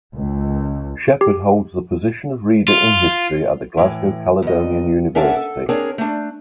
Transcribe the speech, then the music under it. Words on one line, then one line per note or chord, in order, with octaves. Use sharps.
Shepherd holds the position of reader in history at the Glasgow Caledonian University.
C#2
G4
F4
A2 E3
E2 D#5
C#4 D4 A#4 E5 F#5 A5
A4
C4 D4 G#4 A#4 C#5
A3 D4